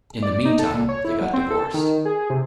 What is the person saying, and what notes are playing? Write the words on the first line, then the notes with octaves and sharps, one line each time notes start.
In the meantime, they got divorced.
D5
D#4
A4
A#2
C#5
E4
F#3
C4
A4
D#3
G#4
C3